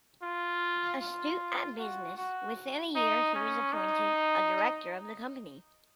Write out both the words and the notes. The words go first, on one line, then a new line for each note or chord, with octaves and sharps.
Astute at business, within a year he was appointed a director of the company.
F4
F4
F#4
F#4
D#4
C#4
D#4